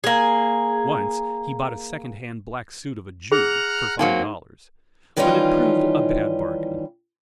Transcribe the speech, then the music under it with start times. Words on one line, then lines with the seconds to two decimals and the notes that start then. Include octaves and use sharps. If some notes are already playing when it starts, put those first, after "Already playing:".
Once he bought a second-hand black suit of a Jew, for five dollars, but it proved a bad bargain.
0.04 A#3 G#4
3.32 G#4 F#5 A#5 F6
3.99 F#3 A#3 C4 D#4
5.17 D#3 E3 G3 C#4 D#4 F4